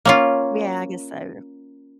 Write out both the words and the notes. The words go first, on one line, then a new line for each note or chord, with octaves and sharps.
Yeah. I guess so.
A#3 C#4 F4